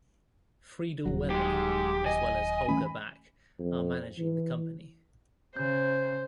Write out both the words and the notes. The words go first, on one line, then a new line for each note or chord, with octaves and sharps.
Friedel Weber as well as Holger Back are managing the company.
D#1 G#1 F#3
G#2 G#3 G4
D#5 G#5
E3 A3 C#4 B5
F2
E3
C#3 C5 G6